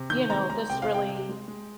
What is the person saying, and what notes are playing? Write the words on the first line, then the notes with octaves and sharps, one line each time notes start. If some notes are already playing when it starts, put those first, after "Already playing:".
you know, "this really"
Already playing: C3
D#3 G6
G#3 A#5
G#3 A#5
C3 G5
F5
C3
G5
C3
G#3
G#3